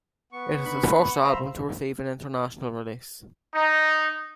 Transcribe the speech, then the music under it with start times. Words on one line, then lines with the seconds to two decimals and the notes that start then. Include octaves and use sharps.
It is his first album to receive an international release.
0.33 B3 C#6
0.66 D4 D#4 B5
1.24 C5 E5 F5 A#5
3.54 D#4